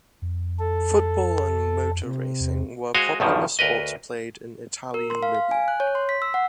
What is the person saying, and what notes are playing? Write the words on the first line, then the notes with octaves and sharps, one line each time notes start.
Football and motor racing were popular sports played in Italian Libya.
F2
A4
C3
E2
G#3 F#4 C5 D#5 F5 G#5
B1 E2 G2 B2 D#3 F3
D2 A#4 B4 D#5
A#4
C6
F5
F5
G#5
F#6
C#5
C6
B6
E6
F#5